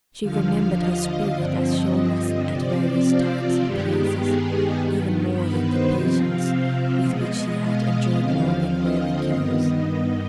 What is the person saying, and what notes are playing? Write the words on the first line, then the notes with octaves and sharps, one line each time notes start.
She remembered her spirit, as shown at various times and places even more than the patience with which she had endured long and wearing cares.
D#2 D3 F3 F5
D#5
D#5
G2 D3 F3 C4 D5
D#5
C3 F3 C4 D5
F4
G2 D#3 G#3 B3 G4
G#4
G2 D#3 B3
B4
C5
C3 F3 C4 D#5
F5
F5
B2 G#3 B3 D#5
F5
D#5
D#2 D3 F3 C4 F5
D#5
G2 D#3 B3 D#5